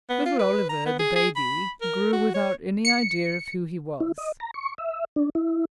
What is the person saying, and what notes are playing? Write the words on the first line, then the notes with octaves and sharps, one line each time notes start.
Little Oliver, the baby, grew without any idea of who he was.
B3
F4
B4
A#5
B3
G#4
G#4
B5
A#4
F#4
C#5
C#7
E4
D#5
A#5
C#6
E5
D4
E4